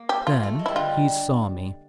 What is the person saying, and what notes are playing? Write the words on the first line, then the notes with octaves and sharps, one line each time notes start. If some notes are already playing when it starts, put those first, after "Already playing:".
Then he saw me.
Already playing: A#3
G4
F4
A3
G#3
G3 E4
D3 F4